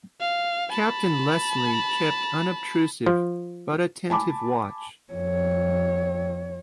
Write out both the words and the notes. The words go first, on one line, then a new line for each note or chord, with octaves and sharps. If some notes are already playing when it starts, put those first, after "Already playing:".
Captain Leslie kept unobtrusive, but attentive watch.
F5
A5 B5
F3
G#5 A5 B5 D6
F2 C#5